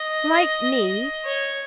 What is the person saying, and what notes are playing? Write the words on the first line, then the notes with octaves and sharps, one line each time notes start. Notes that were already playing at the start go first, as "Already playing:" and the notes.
Like me!
Already playing: D#5
C#5